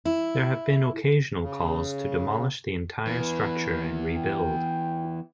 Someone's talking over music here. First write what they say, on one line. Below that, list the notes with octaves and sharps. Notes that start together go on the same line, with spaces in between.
There have been occasional calls to demolish the entire structure and rebuild.
E4
C#3
E3 B3 B4
G5